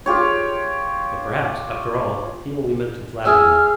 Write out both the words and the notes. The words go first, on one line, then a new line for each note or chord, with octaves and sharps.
But perhaps, after all, he only meant to flatter me.
F4 G4 C#5
G#4 E5 F6